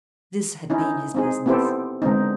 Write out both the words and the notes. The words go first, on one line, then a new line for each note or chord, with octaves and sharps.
This had been his business.
C#4 D#4 E4
C4 D#4 G#4
B3 C4 E4 G4 A4 C5
D3 G#3 B3 C4 D#4